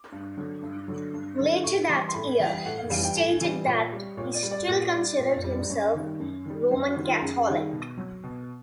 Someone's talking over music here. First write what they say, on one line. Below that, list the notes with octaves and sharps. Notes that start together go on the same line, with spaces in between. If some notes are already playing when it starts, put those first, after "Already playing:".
Later that year, he stated that he still considered himself a Roman Catholic.
Already playing: D6
G2
D3 F#3
G2
D3 F#3
G2
D3 F#3
A2 C#6
E3 G3 C6
C6
A2 B5
E3 G3 G5
A2 F#5
F5
E3 G3 F5
G5
A2 G#5
E3 G3
A#2 C#5
G3
A#2 C#5
D5
G3
D5
A#2
G3
A#2
G3
D5
F#2 C#5
D#3 G3
F#2
D#3 G3
F#2 C5
F#4
D#3 G3
F4
F#2 G#4
D#3 G3 G#4
B2
F#3
B2